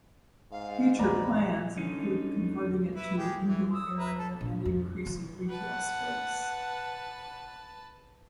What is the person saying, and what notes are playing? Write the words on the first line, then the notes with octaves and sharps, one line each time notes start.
Future plans include converting it to an indoor area and increasing retail space.
G#2 F5
A#1 E2 B4 D5 A#5 B5
D3 C#4 D#4
E4 B4 E5
G#3 G4
E3
D#6 E6
B4 E5 A#5
A4
A#1
F2
C#3 F3
B4 F#5 A5